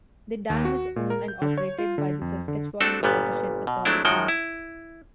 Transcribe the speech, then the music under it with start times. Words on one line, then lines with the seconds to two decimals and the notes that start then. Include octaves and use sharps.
The dam is owned and operated by the Saskatchewan Watershed Authority.
0.50 D#2
0.65 F#4
0.96 A#2
1.10 A#4
1.28 G6
1.42 D3
1.58 C#5
1.78 F4
1.98 D3
2.21 F2
2.48 D3
2.80 A3 C4 D4 F#4 A4
3.03 G1 A#2 G3 B3
3.67 B2
3.85 F#3 G#3 A3 C4 D4 E4
4.05 F#2 D#3 F3 G#3 F#4 G5
4.28 E4